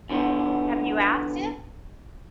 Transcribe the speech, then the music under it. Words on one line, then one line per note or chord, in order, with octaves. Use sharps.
Have you asked him?
E2 D3 F3 B3